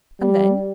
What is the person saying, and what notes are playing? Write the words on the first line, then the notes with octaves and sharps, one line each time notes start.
"And then?"
G3